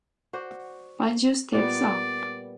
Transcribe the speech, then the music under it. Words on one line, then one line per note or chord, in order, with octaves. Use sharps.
Banjo Steps Out.
F#4 C5 D5
A#2 G3 B3 D5